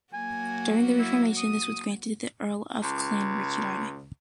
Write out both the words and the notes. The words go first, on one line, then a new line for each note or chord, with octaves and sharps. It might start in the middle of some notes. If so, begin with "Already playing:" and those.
During the reformation this was granted to the Earl of Clanricarde.
F#3 A#3 F#4 G#5
E4
D#6
C#2